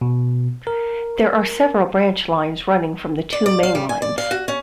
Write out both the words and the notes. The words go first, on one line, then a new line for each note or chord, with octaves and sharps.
There are several branch lines running from the two main lines.
B2
A#4
D5
D5
F5
G3
G#5
D5
F5
F#4
C#4